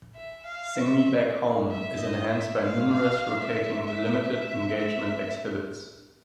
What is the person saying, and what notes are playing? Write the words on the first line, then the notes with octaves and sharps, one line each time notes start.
"Sing Me Back Home" is enhanced by numerous, rotating limited-engagement exhibits.
E5
F5
E5
E5
D#5
E5
F5
F5
E5
E5
E5
E5